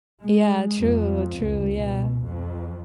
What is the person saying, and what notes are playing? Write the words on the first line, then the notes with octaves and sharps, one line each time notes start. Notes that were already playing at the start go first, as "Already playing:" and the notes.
Yeah, true, true, yeah.
G#3
F2
C#2
B2
F2